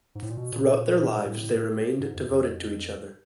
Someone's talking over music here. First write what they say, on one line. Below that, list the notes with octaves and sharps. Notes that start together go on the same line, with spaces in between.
Throughout their lives, they remained devoted to each other.
G#2
A2
A#2
B2
A#2
A2
A2
G#2
F2
F2